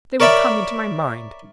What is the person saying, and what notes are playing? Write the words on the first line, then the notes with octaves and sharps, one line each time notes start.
They would come into my mind.
A#4 C#5 D5 E5 B5